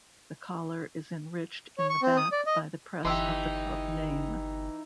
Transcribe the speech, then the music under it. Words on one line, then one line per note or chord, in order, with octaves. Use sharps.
The collar is enriched in the back by the press of the Club name.
C#5
C#6
C4
D#6
D5
D#5
G1 E3 D#4 G4 E5 C6